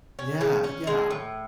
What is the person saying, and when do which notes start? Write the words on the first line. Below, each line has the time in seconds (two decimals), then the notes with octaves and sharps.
Yeah, yeah.
0.19 C#4
0.41 C#3
0.64 C#4
0.87 G#3
1.11 A2